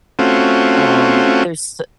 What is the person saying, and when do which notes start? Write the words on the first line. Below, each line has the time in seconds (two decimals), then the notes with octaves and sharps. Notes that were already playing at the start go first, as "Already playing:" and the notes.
um, there's s
0.19 A3 C4 C#4 F4 F#4